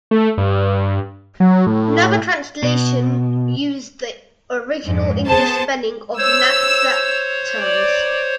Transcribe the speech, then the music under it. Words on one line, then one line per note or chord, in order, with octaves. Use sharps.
Another translation used the original English spelling of Nadsat terms.
A3
G2
F#3
A2
B2
F2 G#2
B3 G#4 C5 A5
C5 C#5 E6
D5